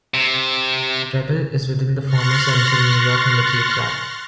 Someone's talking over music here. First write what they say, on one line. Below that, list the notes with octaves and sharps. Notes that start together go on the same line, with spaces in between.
Preble is within the former Central New York Military Tract.
C3
C6 C#6 F6 F#6 A6 A#6